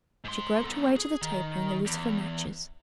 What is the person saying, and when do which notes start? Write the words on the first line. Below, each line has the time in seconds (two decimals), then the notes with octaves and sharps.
She groped her way to the taper and the lucifer matches.
0.24 G#2 C6
0.64 B3 A4
0.96 G#4
1.21 D#3
1.85 E2